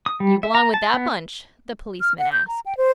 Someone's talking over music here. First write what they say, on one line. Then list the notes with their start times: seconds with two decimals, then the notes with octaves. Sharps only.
"Do you belong with that bunch?" the policeman asked.
0.06 D#6
0.20 G3
0.43 E5
0.55 A#5
0.74 A5
0.94 B3
2.01 F6
2.19 F#5
2.33 G6
2.48 A#5
2.66 G5
2.77 C5